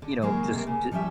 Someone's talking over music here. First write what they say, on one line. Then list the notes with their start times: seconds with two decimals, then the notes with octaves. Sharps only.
you know, just ju
0.02 D3
0.21 D#2 C#3 F#3 G#3 A#3 G#4
0.54 C3 A#3
0.67 C#3
0.91 F3 G3 C#4 G4 E5